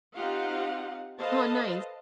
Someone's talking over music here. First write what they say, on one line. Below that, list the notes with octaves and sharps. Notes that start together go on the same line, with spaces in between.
Oh, nice.
C4 D#4 F4 G4 F5 F#5
A4 B4 C5 D#5 F5 A5